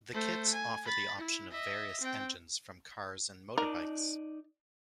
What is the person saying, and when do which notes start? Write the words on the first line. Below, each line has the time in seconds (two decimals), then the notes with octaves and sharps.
The kits offer the option of various engines from cars and motorbikes.
0.13 A3 C5
0.53 G#5
0.85 B5 A6
1.18 E4
1.51 D#5 E5
2.01 C4 G5
3.58 D#4 A#4 D5